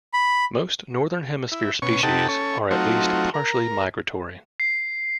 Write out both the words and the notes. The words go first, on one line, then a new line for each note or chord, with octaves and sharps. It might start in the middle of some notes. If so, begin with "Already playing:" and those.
Most Northern Hemisphere species are at least partially migratory.
B5
E4
B2 C#4 C#5 C#6
C3 D#4 G4 A4 F#5 A5
C#4 A4 C#5
F#3 A3 C4 D#4 F4 F#4
A#4
C7